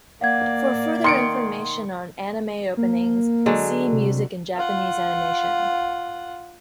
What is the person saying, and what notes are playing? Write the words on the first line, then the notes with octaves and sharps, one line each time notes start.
For further information on anime openings, see Music in Japanese animation.
A#3 D5 F5 F#5 G#6
D#3 C6 C#7 D7
A#3
D3 F#3 G#3
C3
F4 F#5